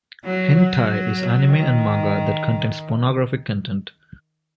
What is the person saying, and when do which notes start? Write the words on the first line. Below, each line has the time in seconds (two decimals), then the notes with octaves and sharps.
Hentai is anime and manga that contains pornographic content.
0.24 F#3
0.55 F#3
1.51 D#3